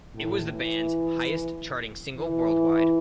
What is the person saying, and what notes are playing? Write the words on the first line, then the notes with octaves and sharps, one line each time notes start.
It was the band's highest-charting single worldwide.
A2
E3
E3